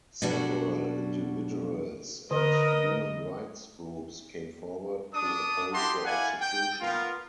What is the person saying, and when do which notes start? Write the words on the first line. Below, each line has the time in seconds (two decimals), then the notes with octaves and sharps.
Several individuals and human rights groups came forward to oppose the execution.
0.22 B2 F#3 G3 D4 F#4
2.31 D3 A#4 B4 D#5 D#6
5.14 D4 D#6
5.72 E4 G4 F#5 A5 A#5 C6
6.04 E4 D5 F5 F#5 G#5
6.41 G5
6.81 B3 F4 A#4